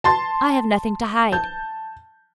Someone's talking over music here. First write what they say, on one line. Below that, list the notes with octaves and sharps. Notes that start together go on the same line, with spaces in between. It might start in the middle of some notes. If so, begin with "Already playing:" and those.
I have nothing to hide.
A5 C6 A6
A5 G6